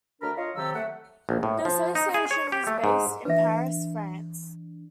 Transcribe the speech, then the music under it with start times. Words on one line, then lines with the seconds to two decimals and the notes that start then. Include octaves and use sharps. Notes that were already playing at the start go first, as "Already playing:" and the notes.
The association is based in Paris, France.
0.21 D2 D4 A#4 A#5 B5 F6
0.37 F4 C#5 D#5 F5
0.56 C3 D#3 F#3 G4 A4 E6
0.75 A3 F#5
1.29 A#1
1.43 A2
1.65 F3
1.95 D#4
2.14 G#4
2.31 C#5
2.52 G4
2.67 A3
2.84 G#2
3.25 E3 D4 B4 E5